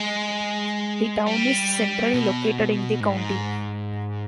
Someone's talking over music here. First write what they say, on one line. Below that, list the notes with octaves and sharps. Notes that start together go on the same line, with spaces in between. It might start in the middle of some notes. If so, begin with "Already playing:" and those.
The town is centrally located in the county.
Already playing: G#3
G3
B2
G#2